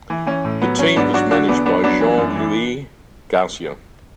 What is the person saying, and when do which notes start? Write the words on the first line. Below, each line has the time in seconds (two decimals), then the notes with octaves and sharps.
The team is managed by Jean-Louis Garcia.
0.10 E3
0.26 E3 C#4
0.45 A2
0.62 F#3 B3
0.79 F#3 C#4
0.96 G#2 B3 D4
1.14 F#3 D4 F#4
1.31 D3 D4 F#4
1.49 E2 B3 D4
1.66 E2 B3 D4
1.84 F#3 B3 D4
2.01 E3
2.18 F#2
2.35 E3